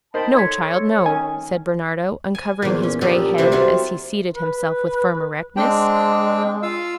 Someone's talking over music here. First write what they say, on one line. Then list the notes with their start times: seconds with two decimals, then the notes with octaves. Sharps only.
"No, child, no," said Bernardo, uncovering his grey head, as he seated himself with firm erectness.
0.14 D#4 A#4 C5 G5 A5 B5
0.35 A4 C#5 C6 G#6 B6
1.06 D#3 C#4 G#5
2.35 G#5
2.62 E2 A#2
2.83 C#4
3.01 A#2 B3 C#4 G4 A4
3.38 C3 E3 E4 B4 C5 D5
3.52 F#3 G3 F4 C5 C#5 F#5
4.34 B4
5.57 G#3 C4 D4 G5
6.63 F4 F5 E6